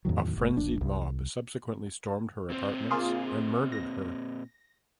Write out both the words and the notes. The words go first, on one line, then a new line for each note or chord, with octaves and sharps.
A frenzied mob subsequently stormed her apartments and murdered her.
E2 A2 D#3 F#3
F#1 A3
D#1 A#1 D4
C2
A#2 C4 C5
A#3 F4 G#4
A#6